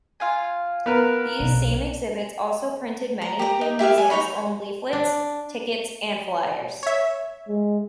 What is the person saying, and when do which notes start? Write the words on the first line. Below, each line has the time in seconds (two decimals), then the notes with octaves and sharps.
These same exhibits also printed many of the museum's own leaflets, tickets and flyers.
0.20 F4 F5 G#5
0.86 B3 A#4 B4
1.40 B1
3.21 A#5
3.39 G4 A#5
3.61 D#4
3.79 E4 G4 E5 F5
3.98 G#5
4.10 D#4 G4 C#5 B5
4.93 D4
6.83 C#5 E5
7.48 G#3